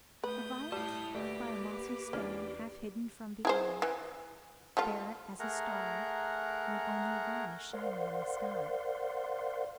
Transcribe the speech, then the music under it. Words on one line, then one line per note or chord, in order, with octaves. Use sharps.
A violet by a mossy stone Half hidden from the eye! --Fair as a star, when only one Is shining in the sky.
A3 B4 D#6 G6
G3 E4 A5
D2 A3 A#3 G4 B4 D5 D6
E2 C#4 D4 F6
E4 G#4 C5
E3
G3 A3 F4
A3 G#4 A#4 F#5 A#5
A#4 C5 D5 F5 F#5 C6